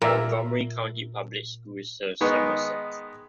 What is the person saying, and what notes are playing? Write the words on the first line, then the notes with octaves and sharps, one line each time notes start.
Montgomery County Public Schools serves Somerset.
A#2 A#4 E5
D#3 G#3 B3 D#4 C#6